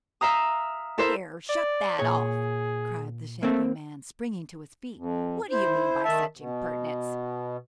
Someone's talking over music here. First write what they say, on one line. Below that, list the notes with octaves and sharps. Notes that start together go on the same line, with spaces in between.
"Here--shut that off!" cried the Shaggy Man, springing to his feet. "What do you mean by such impertinence?"
E5 F5 A#5 D#6
E4 A4 A#4 C5 E5
D5
A#2 G#4 C#5
A3 A#3 C4
F2
E4 C5
D#3 E5 A5
B2